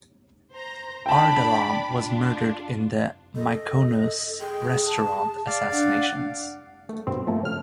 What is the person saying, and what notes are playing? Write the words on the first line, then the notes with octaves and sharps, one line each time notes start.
Ardalan was murdered in the Mykonos restaurant assassinations.
C5 A#5
D4 D5 G5 A5 B5
D4 F4
A4 D#5
G#4 G5
A5
D5 F5
D4 F#5
A3
G2 B2 C4
F3 A3 A#3
C#3 F6